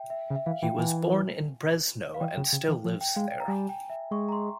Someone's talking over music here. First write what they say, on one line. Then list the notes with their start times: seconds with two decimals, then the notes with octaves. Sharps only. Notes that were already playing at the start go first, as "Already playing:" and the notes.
He was born in Brezno and still lives there.
Already playing: E5 G5
0.10 E5
0.30 C#3
0.36 E5
0.46 E3 F5
0.62 E3 G5
0.78 E3 G#5
2.14 F5
2.21 E3 G5
2.37 C#3
2.53 C#3
2.68 E3
2.85 F3
3.01 G5
3.16 G#3 F5
3.32 G5
3.40 A#5
3.48 G3 G#5
3.69 G5
3.90 E5
4.11 G#3 C#6
4.29 A#5
4.32 C6